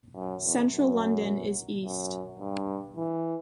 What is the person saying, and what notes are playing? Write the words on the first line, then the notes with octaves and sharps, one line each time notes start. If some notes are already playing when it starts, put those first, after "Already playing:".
Central London is east.
F#2
E2
F#2
F#2
G2
E3